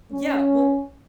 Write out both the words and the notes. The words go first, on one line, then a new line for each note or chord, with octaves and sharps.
Yeah, well
C#4